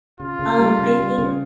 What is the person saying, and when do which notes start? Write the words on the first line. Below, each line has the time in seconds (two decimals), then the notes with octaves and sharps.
Um, I think
0.20 C#3 F4
0.39 C#3
0.59 G3
0.79 C#3
0.99 G3
1.18 C#3